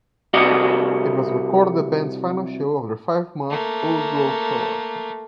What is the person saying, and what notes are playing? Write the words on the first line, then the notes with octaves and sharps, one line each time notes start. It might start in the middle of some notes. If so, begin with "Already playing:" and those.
It was recorded at the band's final show of their five-month "Old Growth" tour.
C2 C3 F#4 D5 D#5
A3 A#3